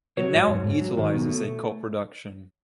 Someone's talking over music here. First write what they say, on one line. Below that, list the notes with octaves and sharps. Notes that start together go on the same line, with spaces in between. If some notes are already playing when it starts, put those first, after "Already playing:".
It now utilizes a co-production.
F#3 C#5
G#2
G#2
G#2
F#3
D#3
B2
A3